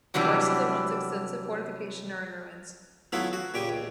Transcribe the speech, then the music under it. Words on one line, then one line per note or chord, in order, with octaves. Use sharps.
Parts of the once extensive fortification are in ruins.
C3 E3 F#3 G3 B3 D4
F#3 A3 B3 C#4 E4 F4
F#4
A#2 C#3 G4 G#5
C#2